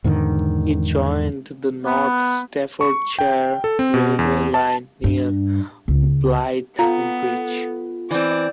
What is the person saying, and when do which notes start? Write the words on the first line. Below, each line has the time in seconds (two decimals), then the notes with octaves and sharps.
It joined the North Staffordshire Railway line near Blythe Bridge.
0.04 E2 G#2 D3 D#3
1.85 B3
2.81 C#6
3.19 G5
3.64 A4
3.79 C4
3.94 B2
4.19 E2
4.54 A5
5.04 G2
5.88 C#2
6.79 B3 F4 A4 A#5
8.11 E3 C4 D5